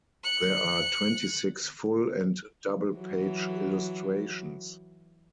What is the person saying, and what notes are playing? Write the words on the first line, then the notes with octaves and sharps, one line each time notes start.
There are twenty-six full and double page illustrations.
F#6 C#7
E3 F#3